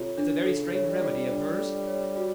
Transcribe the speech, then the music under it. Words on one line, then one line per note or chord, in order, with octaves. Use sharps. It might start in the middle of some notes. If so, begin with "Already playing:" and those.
It's a very strange remedy of hers.
Already playing: C3 F4 A4 C#5
D4
C#3 A4
C#5
G3
F4
D4
A4
C#5
F#4